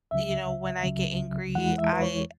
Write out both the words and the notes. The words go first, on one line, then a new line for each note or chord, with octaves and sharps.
you know, when I get angry, I
C#2 C#3 F#3 E5
C#2 C#3 F#3
E2 E3 G#3 E4 F#5
E5
B4
C#5